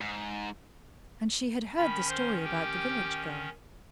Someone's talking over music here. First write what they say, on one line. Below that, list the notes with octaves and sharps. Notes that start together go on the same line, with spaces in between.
And she had heard the story about the village girl.
G#2
D#3 C#4 B5
C5
G4